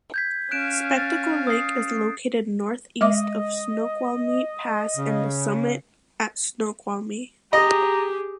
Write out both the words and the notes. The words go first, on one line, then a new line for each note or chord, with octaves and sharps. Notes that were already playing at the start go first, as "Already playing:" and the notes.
Spectacle Lake is located northeast of Snoqualmie Pass and The Summit at Snoqualmie.
G6 G#6 B6
C#4 F5 F#6 D7 E7
A6
D#6 C7
G#3 D#5 E5 D6
C#3
G4 G#4 D#5 A#5